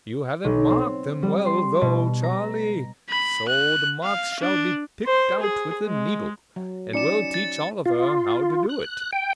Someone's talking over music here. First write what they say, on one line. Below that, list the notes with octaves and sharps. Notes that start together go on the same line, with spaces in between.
You haven't marked them well, though, Charley; so the marks shall be picked out with a needle, and we'll teach Oliver how to do it.
B1
C4
G3
C6
B2
A#5
B5
F#6
F5
D4
C5
G#4
G#3
F#3
C#4 D#4 D5 C#7 E7
A6
F4
F#6
G5